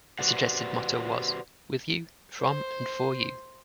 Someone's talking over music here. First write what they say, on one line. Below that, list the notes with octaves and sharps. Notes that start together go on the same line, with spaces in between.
The suggested motto was: "With you, from and for you".
F#4 G4 B4 C5 D5 F#5
C5